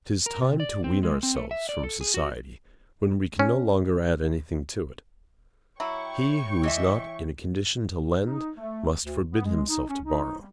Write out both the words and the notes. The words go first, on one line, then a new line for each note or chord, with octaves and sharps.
'Tis time to wean ourselves from society when we can no longer add anything to it; he who is not in a condition to lend must forbid himself to borrow.
A#4
C3
D5
C4
G#3
C4
A3
E5
D5
A4
G#4
F#4
C#4
F#3 E4 C#5 G5 C#6
E3 D#5 E5
D#4
A3
D2
B3
G#3
D#4
C#4
D#4
G3